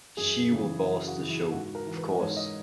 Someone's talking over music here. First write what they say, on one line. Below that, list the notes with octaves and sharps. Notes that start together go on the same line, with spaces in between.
She will boss the show, of course.
F#2 G#4
C#3 E3
F#2 F#4
F#4
C#3 E3
E4
G#2 F#4
A#4
E3
B4
G#2 C#5
D#5